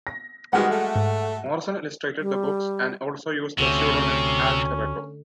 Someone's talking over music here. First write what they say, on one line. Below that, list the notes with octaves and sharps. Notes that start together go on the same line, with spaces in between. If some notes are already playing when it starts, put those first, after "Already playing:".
Morrison illustrated the books and also used the pseudonym Al Terego.
A#6
D#3 G3 G#3 B3 F#4 F#5 F6
A3
G#2
G3
D2 C3 C#4